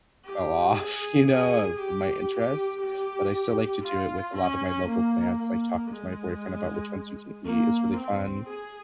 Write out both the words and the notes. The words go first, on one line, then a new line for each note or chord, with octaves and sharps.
fell off, you know, of my interest, but I still like to do it with a lot of my local plants, like talking to my boyfriend about which ones you can eat is really fun,
G4
G#4
G#4
G4
G4
G4
F4
C#4
A#3
A#3
G#3
A#3
C4
G#4